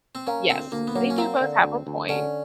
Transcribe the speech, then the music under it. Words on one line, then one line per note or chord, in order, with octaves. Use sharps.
Yes, they do both have a point.
C4
A#3 C#4
D2 C4
D2 A#3
B3
F#3 A#3
C#4
A#3 C4
D3
D2
D2
D3 C#4